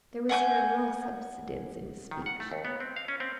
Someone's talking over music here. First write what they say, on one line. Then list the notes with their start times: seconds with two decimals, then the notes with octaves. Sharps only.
There was here a little subsidence in his speech.
0.29 F#5 G#5 D6 G6
2.11 D#3
2.26 F#5
2.40 A3
2.51 D#2
2.65 B3
2.80 C4
2.96 F5
3.08 C#4
3.20 C4